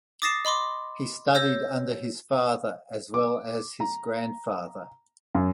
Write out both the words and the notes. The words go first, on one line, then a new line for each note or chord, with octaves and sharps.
He studied under his father as well as his grandfather.
D6 D#6 A6 A#6 C7 E7
D#5 B5 C6 D6
C#5 E6 G6 A#6
D6
A#5
F#2